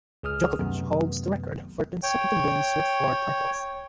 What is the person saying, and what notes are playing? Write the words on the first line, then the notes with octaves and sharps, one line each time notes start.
Djokovic holds the record for consecutive wins with four titles.
C#2 G#4 D#6 F6
F#2 C3 D#3 F#3 A3 B3
C#5 G5